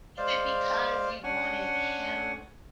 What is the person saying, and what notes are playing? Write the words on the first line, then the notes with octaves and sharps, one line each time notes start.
Is it because you wanted him
G#3 C5 D5 F5
C#4 D4 F#5 G#5 C#6